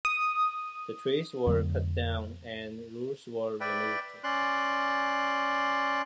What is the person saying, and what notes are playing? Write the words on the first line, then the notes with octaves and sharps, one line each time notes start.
The trees were cut down and roots were removed.
D#6
F2 D3 F#3 A3
B4 D5 E5 G5
C#4 D5 C6 F#6